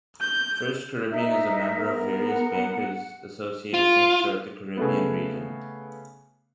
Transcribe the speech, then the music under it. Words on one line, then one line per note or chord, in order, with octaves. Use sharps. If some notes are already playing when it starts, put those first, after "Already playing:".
FirstCaribbean is a member of various Bankers Associations throughout the Caribbean region.
G6
D#4 E5
B3 A#4
F#5
F4
C#3 A3 B3